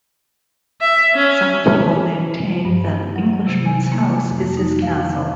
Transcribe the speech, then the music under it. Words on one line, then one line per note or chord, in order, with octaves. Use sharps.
Some people maintain that an Englishman’s house is his castle.
E5
C#4
G2
F#3
C3
G#5
A#3
F2
D#4
F5